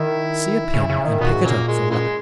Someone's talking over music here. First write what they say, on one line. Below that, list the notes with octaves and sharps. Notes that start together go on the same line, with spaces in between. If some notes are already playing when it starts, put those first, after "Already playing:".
See a pin and pick it up for luck.
Already playing: D#3 E4
C#3
C#3
D#3
A#2 B3 D#4 F#4
G#2
A#2 C#3 F#3 A#3
G#3
C#3 E3 G#3